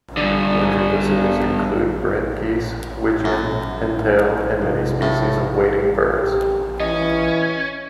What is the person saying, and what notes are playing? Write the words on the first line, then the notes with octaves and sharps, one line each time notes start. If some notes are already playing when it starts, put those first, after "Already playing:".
Winter visitors include brent geese, wigeon, pintail and many species of wading birds.
G2 D3
F#2
F1
A2
G4
E3 C#4 D#5